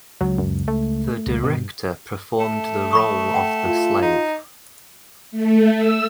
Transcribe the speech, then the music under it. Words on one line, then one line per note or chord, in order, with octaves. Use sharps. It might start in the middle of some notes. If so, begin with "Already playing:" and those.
The director performed the role of the slave.
C#2 F#3
F#2
A3
C#2 G3
G2 B2
A3
B5 C#6 D#6
F#5 G5
F4
D#4
A3
E6